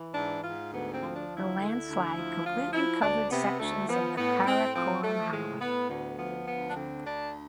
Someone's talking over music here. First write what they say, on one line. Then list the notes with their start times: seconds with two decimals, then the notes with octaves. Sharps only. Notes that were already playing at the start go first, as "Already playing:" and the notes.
The landslide completely covered sections of the Karakoram Highway.
Already playing: E3
0.15 G#2 D4
0.43 G#2 F4
0.73 D2 B3
0.94 C4
1.02 F3
1.16 D4
1.30 D2
1.37 E4
1.59 D3
1.88 D2
2.16 F3
2.45 D2 F4
2.73 F3 E4
3.02 D2 D4
3.31 C3 B3
3.60 D2 A3
3.89 F3 B3
4.17 A2 B3
4.46 A2 C4
4.75 F3 C4
5.04 F3 A3
5.33 A2 G#3
5.61 A2 B3
5.90 D2 B3
6.19 F3 B3
6.47 D2 B3
6.69 D4
6.76 D3 C4
7.05 D2 D4